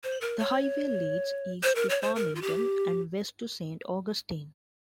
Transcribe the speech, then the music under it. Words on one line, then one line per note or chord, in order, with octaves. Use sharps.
The highway leads east to Farmington and west to Saint Augustine.
C5
A#4
C#5
C5
A#4
C#5
C5
A#4
F4
G4